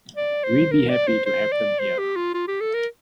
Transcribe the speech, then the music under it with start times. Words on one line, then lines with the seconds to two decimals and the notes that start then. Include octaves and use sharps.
We'd be happy to have them here.
0.16 D5
0.44 C5
0.71 A#4
0.89 D5
1.07 C5
1.26 C5
1.52 D5
1.79 C5
1.98 G4
2.16 F4
2.34 F4
2.48 G4
2.60 A4
2.74 A#4